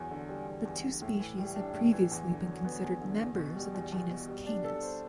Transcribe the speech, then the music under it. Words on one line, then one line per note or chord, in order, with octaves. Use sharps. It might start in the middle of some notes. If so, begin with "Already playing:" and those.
The two species had previously been considered members of the genus "Canis".
Already playing: E2 F#3
D3
G3
E2
E2
D3
A2
E3
G3
D4
A2
E3
E2
D3
F#3
B3
E2
D3
E2
B2
G3
E2
E2
B2
G3
D4
A4
C5